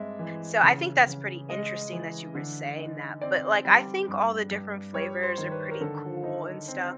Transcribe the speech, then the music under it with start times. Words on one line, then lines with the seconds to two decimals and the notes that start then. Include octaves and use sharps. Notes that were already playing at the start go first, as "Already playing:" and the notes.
So, I think that's pretty interesting that you were saying that, but, like, I think all the different flavors are pretty cool and stuff.
Already playing: G2 G#3 C4 E5
0.19 E3
0.63 C#3
1.06 C#3
1.49 G#3 D#5
1.92 E3
2.35 D3
2.79 D#4
3.21 C4 D5
3.65 G3
4.08 G2
4.51 G2
4.94 G3 C#5
5.23 C5
5.38 D#3
5.52 B4
5.71 A#4
5.81 D3 A4
6.24 D#4
6.68 C4